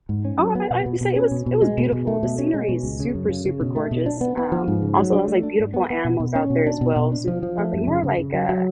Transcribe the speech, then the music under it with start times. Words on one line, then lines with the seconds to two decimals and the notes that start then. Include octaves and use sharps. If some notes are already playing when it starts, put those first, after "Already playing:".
Oh, I I'd say it was it was beautiful; the scenery is super, super gorgeous. Um, also, I was like beautiful animals out there as well. So more like more like a,
0.09 G#2
0.25 C#4
0.39 F#3
0.55 B3
0.70 B2
0.86 B2
1.01 B2
1.16 C#4
1.31 B2
1.46 B2
1.62 G#3
1.78 B2
1.92 B2
2.07 A3
2.23 B2
2.38 C#4
2.54 G#3
2.69 B2
2.83 C#2
3.00 C#3
3.15 F#2
3.29 C#3
3.46 C#3
3.61 B2
3.76 A3
3.91 B2
4.06 D4
4.21 B3
4.37 B3
4.52 F3
4.68 G#2
4.82 C#3
4.98 F#3
5.13 D4
5.28 A3
5.43 D4
5.59 G#2
5.74 B3
5.90 B3
6.05 B2
6.20 B2
6.35 C#4
6.50 B2
6.67 D4
6.81 B2
6.96 B2
7.12 D4
7.28 F3
7.43 F3
7.58 A3
7.73 F#2
7.88 C#3
8.04 C#3
8.19 C#3
8.33 F#3
8.49 F#3